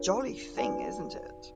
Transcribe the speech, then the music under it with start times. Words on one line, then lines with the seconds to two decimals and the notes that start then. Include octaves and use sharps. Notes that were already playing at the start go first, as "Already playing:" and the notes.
Jolly thing, isn't it?
Already playing: D4 F4 A#4 C#5
0.58 D#4 F#4 B4 D5 G#5